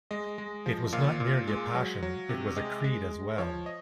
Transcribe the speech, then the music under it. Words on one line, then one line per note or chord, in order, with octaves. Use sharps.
It was not merely a passion — it was a creed as well.
G#3 D#5
G#3
F3
A#2 F5
A#2
G#3
F#3
F#3
C3
G#3 D#5
G#3
G#3
F3 C#5
D#5